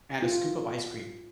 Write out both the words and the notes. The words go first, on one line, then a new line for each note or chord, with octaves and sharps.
and a scoop of ice cream.
F4